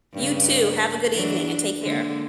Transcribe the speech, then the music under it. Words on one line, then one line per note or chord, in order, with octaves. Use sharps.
You too. Have a good evening and take care.
G2 C#3
E3 F#3 D4
D3 G#3 A#3